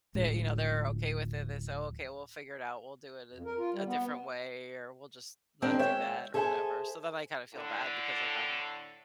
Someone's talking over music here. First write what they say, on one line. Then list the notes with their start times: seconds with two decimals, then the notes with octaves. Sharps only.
they you know, they're okay with it, they say, "Okay, we'll figure it out. We'll do it a a different way or we'll just not do that or whatever." So, then I kinda feel bad because, like, I'm
0.15 D1 A2 F3 G#3
3.32 F2
3.45 A#4
3.58 F4
3.73 G3
3.86 B3
5.62 D#3 G#3 C4 D4
5.79 G#3 C#5 E5 G5
6.34 G#4 A4 C5 E5 F#5 G#5
7.53 A2 D3